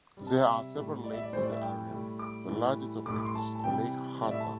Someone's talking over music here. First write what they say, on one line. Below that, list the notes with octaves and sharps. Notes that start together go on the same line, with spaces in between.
There are several lakes in the area, the largest of which is Lake Hattah.
C3 G3
A5
E5
A2 G3
D5
E5
D5
A2 E3 G3 C5
D5
E5
G5
A2 G3
D6
A2 E3 G3
A2 G3 D6
D6
C6
A5
A5
C3 E3 G3 G5
A2 G3 D5
E5
A5